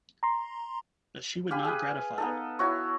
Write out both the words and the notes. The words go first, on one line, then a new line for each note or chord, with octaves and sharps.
But she would not gratify it.
A#5 C6
G4 F5 G#5 B5
G#4 B4
B3 D#4 A4
E4 F#4 C#5